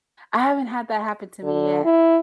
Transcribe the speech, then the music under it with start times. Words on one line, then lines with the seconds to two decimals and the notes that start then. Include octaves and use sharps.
I haven't had that happen to me yet.
1.43 D3
1.84 E4